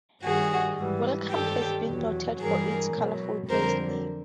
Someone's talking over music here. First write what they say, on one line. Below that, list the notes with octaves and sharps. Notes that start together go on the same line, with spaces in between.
Welcome has been noted for its colorful place name.
G2 D#3 G3 F#4 G#4
G#2 E3 G3
G2 D#3 G3 G4 A4
E2 B2 F#3
G2 E3 G3 G#4 A#4
B2 F#3
F2 D3 G3 A#4 C5